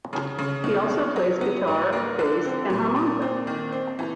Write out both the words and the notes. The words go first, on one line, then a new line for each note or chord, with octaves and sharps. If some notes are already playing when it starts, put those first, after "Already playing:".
He also plays guitar, bass and harmonica.
C#3
C#3
B2
B2
F#3
B3
G#2
A#3
D3
C4
A#2
A#2
C4
D#3
C4
E3